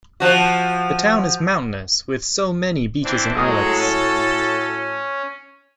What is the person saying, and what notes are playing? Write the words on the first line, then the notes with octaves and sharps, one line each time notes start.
The town is mountainous with so many beaches and islets.
F3 F#4
E3 C4 D4
A2 F#3 G#3 F#4 G#4 A4
C#4